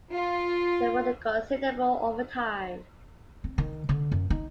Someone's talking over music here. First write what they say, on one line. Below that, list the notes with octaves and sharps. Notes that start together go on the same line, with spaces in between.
They worked considerable overtime.
F4
C4
D#3
D3
F#2
D#4